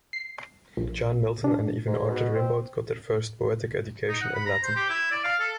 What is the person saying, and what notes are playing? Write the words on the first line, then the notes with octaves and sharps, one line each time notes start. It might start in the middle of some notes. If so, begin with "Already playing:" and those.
John Milton and even Arthur Rimbaud got their first poetic education in Latin.
C7
A#1
D4
G#2
B2
C4
D#4
F#5
B5
A#5
C5
G4
E4
D5
F5
A4